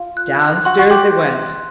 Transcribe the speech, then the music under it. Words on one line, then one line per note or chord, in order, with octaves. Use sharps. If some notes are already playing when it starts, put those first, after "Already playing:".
Downstairs they went.
Already playing: F4
F#6
F#6
F#4 C6
F#4
G4 C6